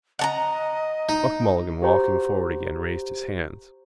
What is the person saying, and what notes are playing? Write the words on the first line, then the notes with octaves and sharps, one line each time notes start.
Buck Mulligan, walking forward again, raised his hands.
D#5 F#5 A5 A#5
D#4
F#4 G4 C5 A#5